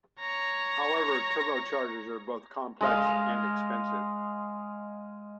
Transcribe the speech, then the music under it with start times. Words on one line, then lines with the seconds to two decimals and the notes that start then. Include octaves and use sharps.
However, turbochargers are both complex and expensive.
0.20 C#5 A#5
2.81 G#3 D#5 F5